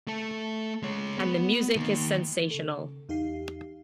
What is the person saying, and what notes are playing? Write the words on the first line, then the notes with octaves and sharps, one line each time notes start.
And the music is sensational.
A3 A4
G#3 C#5
B3
D#3 A#3
C#3 A4
E2 D#4 G4 F5 C7